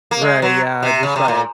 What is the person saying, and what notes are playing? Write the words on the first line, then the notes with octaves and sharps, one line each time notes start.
Right, yeah, just like
A#3
G#3
F#3
C3
C#3
C3
A#2